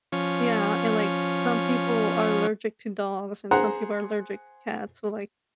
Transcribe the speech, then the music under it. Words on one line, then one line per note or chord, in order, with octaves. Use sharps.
Yeah. And, like, some people are allergic to dogs and some people are allergic to cats. So, like,
F3 C#4
G#4 C5 F#5 A#5